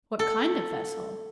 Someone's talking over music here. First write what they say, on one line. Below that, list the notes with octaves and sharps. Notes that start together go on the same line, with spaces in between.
What kind of vessel?
A4